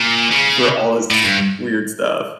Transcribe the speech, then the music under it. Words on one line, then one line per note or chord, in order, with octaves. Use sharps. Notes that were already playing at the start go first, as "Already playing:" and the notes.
for all this weird stuff.
Already playing: A#2
C#3
A2
G2